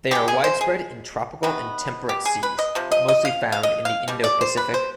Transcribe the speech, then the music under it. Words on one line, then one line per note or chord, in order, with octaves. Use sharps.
They are widespread in tropical and temperate seas, but mostly found in the Indo-Pacific.
B2 G#3 B3 G4
G#4
C5
G#4
C3 D#3 B3
G4
G#4
B4
D#5
C3 F3
D#5
D#5
F5
F5
D#5
F5
B2 G3
D5
C5
B4
C5